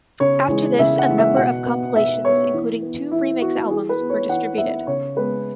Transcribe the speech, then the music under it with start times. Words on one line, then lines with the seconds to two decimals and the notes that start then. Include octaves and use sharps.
After this, a number of compilations, including two remix albums, were distributed.
0.20 C#3 C#5
0.49 E3 G#3
0.79 C#3 E5
0.99 F#5
1.08 E3 G#3
1.18 E5
1.36 B2 F#5
1.66 B3
1.96 B2 E5
2.25 B3 C#5
2.54 E3
2.82 B3
3.11 E3 E4
3.41 B3 F#4
3.70 E3 G#4
3.89 B4
4.00 B3
4.10 C#5
4.29 E3 F#5
4.58 B3 E5
4.87 C#3 C#5
5.16 G#3 B3 B4